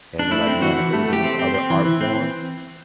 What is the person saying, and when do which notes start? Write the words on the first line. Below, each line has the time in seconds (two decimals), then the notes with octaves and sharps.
and you're like, "Man, if it was in this other art form,"
0.19 D4
0.31 A3 E4
0.47 C4
0.62 E3 F#4
0.77 E3
0.93 A3
1.08 A3
1.13 G4
1.24 C4
1.39 C4
1.54 C4
1.70 E3
1.85 E3
2.01 C4